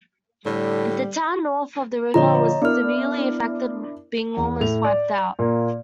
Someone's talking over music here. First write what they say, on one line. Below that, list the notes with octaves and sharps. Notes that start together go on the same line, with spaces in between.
The town north of the river was severely affected being almost wiped out.
A2 D3 G3
A#2 D3 F3 C#5 D#5 A#5
B3 D4 E4 A#4 F6
E2
A2 F7
D5
A#2 A#3